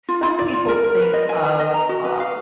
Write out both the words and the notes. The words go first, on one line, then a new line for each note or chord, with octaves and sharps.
some people think of, uh,
F4
F4
D5
F4
A#4
A#4
B4
D#5
G#5
B4
D#5
A#5
F#4
B4
F5